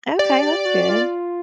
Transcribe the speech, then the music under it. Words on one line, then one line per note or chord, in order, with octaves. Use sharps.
Okay, that's good.
G4 D5
G4
F#4
F4